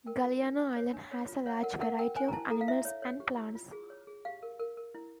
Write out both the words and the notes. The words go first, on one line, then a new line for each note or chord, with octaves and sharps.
Galiano Island has a large variety of animals and plants.
A#4 G5
F4
D4
D4
C#5
D4
C#5
F4
C#5 F#5
A#4 F#5
A#4 F#5
A#4 G5
C5 G#5
A#5
E4 A5
A4 A#5
F5
E4 E5
C#5
C#5
G4
E4
F4
G#4
C#5
G#4
G4 F5
A#4
A#4
A#4
E4